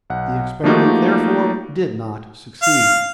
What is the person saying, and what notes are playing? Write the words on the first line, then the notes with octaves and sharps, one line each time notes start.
The experiment, therefore, did not succeed.
B1 F#5
F3 A3 A#3 D#4 F#4 G4
F5